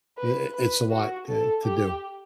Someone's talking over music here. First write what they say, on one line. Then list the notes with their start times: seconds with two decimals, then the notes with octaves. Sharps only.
i i it's a lot, eh, to do,
0.18 B4
0.54 B4
0.91 F#4
1.27 A4
1.64 G4